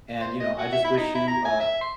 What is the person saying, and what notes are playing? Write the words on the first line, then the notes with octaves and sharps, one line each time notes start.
and, you know, I just wish you, uh,
C5
D#5
F#4
E5
E4
D#4
E4
A#5
G#5
E5
C6